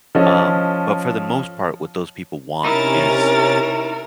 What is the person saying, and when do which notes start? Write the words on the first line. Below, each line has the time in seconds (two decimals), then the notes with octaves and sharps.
Um, but, for the most part, what those people want is
0.15 F3 C#4 A4 D#5
2.64 C3 C#4 D#4 E4 A#4 A6